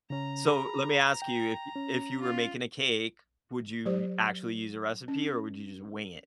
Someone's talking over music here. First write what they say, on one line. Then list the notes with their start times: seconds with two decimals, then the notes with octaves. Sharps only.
So, let me ask you, if if you were making a cake, would you actually use a recipe, or would you just wing it?
0.10 C#3 C#4 A#5
0.47 G#4 B5
1.22 G5
1.76 C#4
2.21 F4
3.86 F#3 G4 C5 D5
5.08 C#4